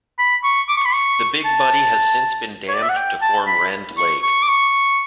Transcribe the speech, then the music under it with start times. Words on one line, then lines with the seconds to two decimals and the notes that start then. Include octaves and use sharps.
The Big Muddy has since been dammed to form Rend Lake.
0.19 B5
0.44 C#6
0.68 D6
0.77 C#6
0.86 B5
0.94 C#6
1.45 A5
2.68 C#5
2.75 D5
2.83 E5
2.89 F#5
2.97 G5
3.22 A5
3.47 B5
3.98 C#6
4.23 C#6
4.43 D6
4.49 C#6